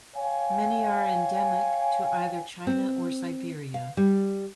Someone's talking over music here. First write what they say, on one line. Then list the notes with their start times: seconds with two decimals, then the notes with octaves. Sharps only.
Many are endemic to either China or Siberia.
0.16 C#5 F5 G5 G#5
2.67 C4
3.74 F5
3.97 G3